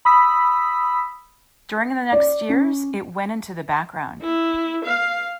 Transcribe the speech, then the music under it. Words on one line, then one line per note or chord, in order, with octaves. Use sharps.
During the next years it went into the background.
B5 D#6 E6 B6
D5
C#4
E4
F5